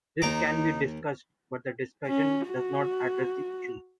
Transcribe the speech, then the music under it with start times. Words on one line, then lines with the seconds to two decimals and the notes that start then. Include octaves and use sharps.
This can be discussed, but the discussion does not address the issue.
0.22 D#2 D#4 A#5 D6
2.07 C#4
2.48 F#4